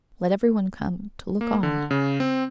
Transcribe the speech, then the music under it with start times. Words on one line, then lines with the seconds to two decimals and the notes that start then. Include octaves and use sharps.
Let every one come ... to look on.
1.41 A#3
1.63 D3
1.91 C#3
2.20 C4